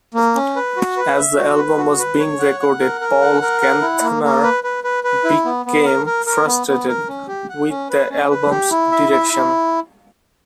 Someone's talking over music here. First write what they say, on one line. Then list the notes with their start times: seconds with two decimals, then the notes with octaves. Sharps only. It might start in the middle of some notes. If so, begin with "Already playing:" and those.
As the album was being recorded, Paul Kantner became frustrated with the album's direction.
0.14 A#3
0.35 C#4
0.56 B4
0.77 F#4
0.97 B4
1.16 E5
1.37 F#4
1.58 B4
1.78 F#4
1.99 B4
2.19 C#5
2.39 F#5
2.60 F#5
2.80 A#4
3.01 A#4
3.21 F#5
3.41 A#4
3.61 F#5
3.82 E4
4.02 A#3
4.23 A#3
4.43 B4
4.64 B4
4.84 B4
5.04 B4
5.24 E4
5.45 B3
5.66 B3
5.85 A#4
6.06 A#4
6.26 A#4
6.46 B3
6.67 B3
6.88 A#4
7.08 C#4
7.28 G4
7.49 F#5
7.69 C#4
7.90 B4
8.10 C#4
8.30 B4
8.50 G4
8.71 E4
8.91 E5
9.11 E4
9.33 E4